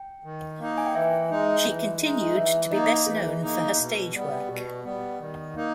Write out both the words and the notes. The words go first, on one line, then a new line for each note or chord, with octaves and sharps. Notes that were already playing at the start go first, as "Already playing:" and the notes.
She continued to be best known for her stage work.
Already playing: G5
D#3
A#3 D#4
G#5
G5
E3 E5
G#3 D#4
E3
G#3 D#4
E3 E5
A#3 D#4 D#5
E3 G#4
A#3 D#4
B2
G3 B3
B2 G4
G3 B3
D#3
A#3 D#4